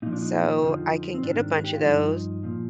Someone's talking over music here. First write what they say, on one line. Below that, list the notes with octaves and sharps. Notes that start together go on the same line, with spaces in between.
So, I can get a bunch of those,
A#2 F3 D#4
D4
D#4
F2 D3 F3
C4
G#2 D#3 D4
G#4
G4
F4
G2 F3 D#4
A#2 F3